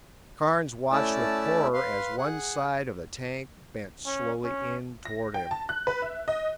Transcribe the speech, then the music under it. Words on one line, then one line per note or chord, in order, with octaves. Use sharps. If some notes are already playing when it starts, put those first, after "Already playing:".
Carnes watched with horror as one side of the tank bent slowly in toward him.
A3 C#4 E4 D5 A5 E6
B4 F5 C6
G#4 F#5
C#4
C#4
A#6
G5
A5
F#6
B4
E5
D#5